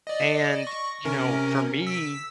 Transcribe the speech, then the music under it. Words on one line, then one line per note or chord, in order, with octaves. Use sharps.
and, you know, for me,
D5 D#5
C#6 A#6
C3 C#4 A#4
E6 B6